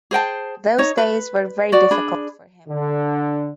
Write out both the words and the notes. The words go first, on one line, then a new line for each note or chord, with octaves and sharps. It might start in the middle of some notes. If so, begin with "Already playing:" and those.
Those days were very difficult for him.
G#4 C5 G5 A5
D#4 C#5
B4
F#4 D5
D4 G#4 B5
D3